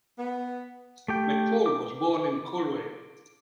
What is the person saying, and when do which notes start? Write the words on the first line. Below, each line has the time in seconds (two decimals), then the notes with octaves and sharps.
McFaul was born in Coleraine.
0.18 B3
1.08 A3 G4 G5
1.66 D6